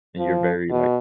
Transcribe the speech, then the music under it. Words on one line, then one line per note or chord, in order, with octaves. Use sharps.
And you're very like
F3
B2